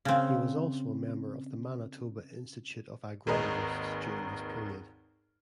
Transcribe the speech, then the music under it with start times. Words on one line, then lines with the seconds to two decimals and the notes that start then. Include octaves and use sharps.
He was also a member of the Manitoba Institute of Agrologists during this period.
0.05 C#3 C4
3.27 G#1 D#2 G#3 A#4 B4 D#5